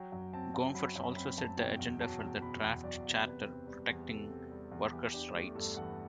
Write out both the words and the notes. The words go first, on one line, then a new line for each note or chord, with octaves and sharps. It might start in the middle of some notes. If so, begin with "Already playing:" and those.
Gompers also set the agenda for the draft charter protecting workers' rights.
Already playing: F#3 G5
F#2
C4 A5
F#2
F#3 B5
F#2
C4 B5
F#2 A5
B2 G5
E2
F#3 A5
E2
B2 B5
E2
F#3 D5
E2
C3 B4
C4
G3
E2
C3 A4
C4
G3
E2
E3 G4
D4 G4
A3 G4
G2 A4
E3 F#5